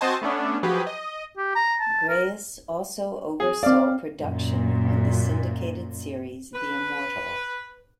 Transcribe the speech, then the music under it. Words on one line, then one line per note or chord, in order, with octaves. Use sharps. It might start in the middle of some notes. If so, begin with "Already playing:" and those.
Grais also oversaw production on the syndicated series, "The Immortal".
C4 F#4 C5 D#5 G#5 A5
A3 B3 C#4 D4
F3 F#3 G4 G#4 B4
D#5
G4
A#5
A5
A#4
G#4
C4 D5 F5 D6
F#2 A#2
B4